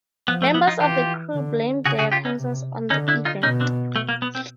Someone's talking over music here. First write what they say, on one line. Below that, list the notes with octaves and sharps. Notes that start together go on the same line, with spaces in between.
Members of the crew blamed their cancers on the event.
F3 B3
A3
B3
D#4 F4
E3 F4 G4
D3
C#3 F#4 G#4
F#4 G#4
F4 G4
C#4 D#4
C3
D3 C#4 D#4
D4 E4
D#4 F4
B2 C#4 D#4
C4 D4
A3
A#3
B3
C4